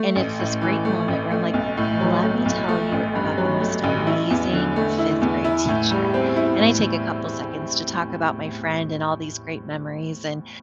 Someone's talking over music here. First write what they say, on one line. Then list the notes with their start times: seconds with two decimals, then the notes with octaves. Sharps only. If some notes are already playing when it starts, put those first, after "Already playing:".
And it's this great moment where I'm like, "Let me tell you about the most amazing fifth-grade teacher," and I take a couple seconds to talk about my friend and all these great memories and
Already playing: A3
0.16 A1
0.39 A2
0.62 E3
0.85 A3
1.08 A1
1.31 A3
1.54 B1
1.77 A2
2.00 F#3
2.23 A3
2.45 B1
2.69 A3
2.92 A1
3.15 G2
3.37 F#3
3.61 A3
3.84 A1
4.07 E4
4.30 E2
4.53 D3
4.76 A3
4.98 E4
5.21 E2
5.44 E4
5.68 A2
5.91 G3
6.14 C4
6.36 E4
6.59 A2